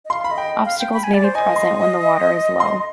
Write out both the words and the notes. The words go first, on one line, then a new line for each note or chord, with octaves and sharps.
Obstacles may be present when the water is low.
D#5
F5 C6
B5
D#5
G5
F5
G5
B5
G#5
D5
C5
D#5 G#5
C6
C6